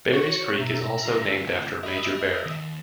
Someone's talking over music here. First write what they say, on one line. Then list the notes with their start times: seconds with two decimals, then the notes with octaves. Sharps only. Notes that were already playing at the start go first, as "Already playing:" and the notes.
Berrys Creek is also named after Major Berry.
0.13 F#4 C#5 C#6
0.59 B2 E5 A#5
1.06 D2 F4
1.83 A#4 D#5 E5 B5
2.45 D#2